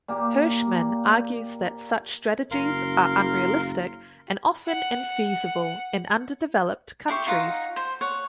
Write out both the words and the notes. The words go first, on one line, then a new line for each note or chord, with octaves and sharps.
Hirschman argues that such strategies are unrealistic and often infeasible in underdeveloped countries.
A#2 A#3 G4
F#1 A#4 F5 C6
F#5
E4 G4 C6 C#6
D#4 F4 F#5 A#5
C5
C#5 F#5